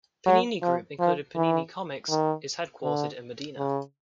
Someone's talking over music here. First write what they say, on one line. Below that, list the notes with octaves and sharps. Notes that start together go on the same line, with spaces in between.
Panini Group, including Panini Comics, is headquartered in Modena.
F#3
F3
F3
E3
D#3
D3
C#3